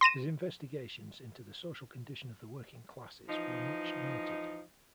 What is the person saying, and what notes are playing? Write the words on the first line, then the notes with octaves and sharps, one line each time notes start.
His investigations into the social condition of the working classes were much noted.
C6 A#6 D#7 E7
E3 F3 D#4